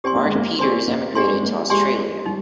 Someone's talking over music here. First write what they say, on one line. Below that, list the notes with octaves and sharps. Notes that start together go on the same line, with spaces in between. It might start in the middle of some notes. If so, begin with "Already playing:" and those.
Mark Peters emigrated to Australia.
C4 G4 D5 G#5 C6
A#3
G#3
A#3
C4 G4 D5 G#5 C6
A#3
C4 G4 D5 G#5 C6
G#3
A#3
G#3 G4 D5 G#5 C6
G3 D#4